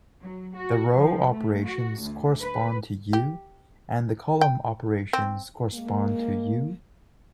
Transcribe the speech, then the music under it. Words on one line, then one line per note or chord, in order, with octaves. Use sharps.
The row operations correspond to "U", and the column operations correspond to "U".
F#3
F#4
F3
A3
F#4
D2
B4
G4
G5
C4
G#3 A#3